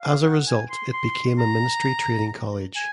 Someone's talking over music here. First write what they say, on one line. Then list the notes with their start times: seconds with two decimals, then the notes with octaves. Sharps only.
As a result, it became a Ministry training college.
0.01 F5
0.24 F#5
0.47 G#5
0.70 C6
0.93 C6
1.38 A#5
2.76 G#5